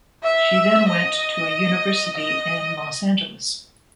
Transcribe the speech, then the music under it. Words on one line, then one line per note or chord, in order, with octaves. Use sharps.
She then went to a university in Los Angeles.
E5
D#5
D#5